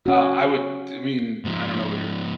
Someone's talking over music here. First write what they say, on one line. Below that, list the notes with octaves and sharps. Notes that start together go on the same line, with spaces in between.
Uh, I would I mean, I don't know what your
C#4 F#4
G#2 F3